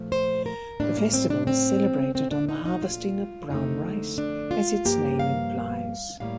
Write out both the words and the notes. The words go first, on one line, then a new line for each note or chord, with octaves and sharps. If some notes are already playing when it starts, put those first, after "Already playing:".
The festival is celebrated on the harvesting of brown rice as its name implies.
Already playing: A#2 F3 A3
C5
A#4
A2 G3 A#3 D4
A#3
C4
D4
C4
A#2 A3 C4
D4
D#4
D#4
F4
F2 D3 A3 D#4
D4
F4
G2 F3 A#3 G4
F5
A2 G3 A#3 F5